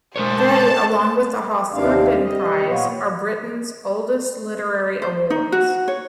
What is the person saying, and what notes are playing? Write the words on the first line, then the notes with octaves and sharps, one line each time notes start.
They, along with the Hawthornden Prize, are Britain's oldest literary awards.
G#3 A#4 C5 C#5 A5
D#2 C3 D#3 E3 D4 F5
G3 D#5
A#2 B3 F4 C#5
C5
D#4
F#4
C#5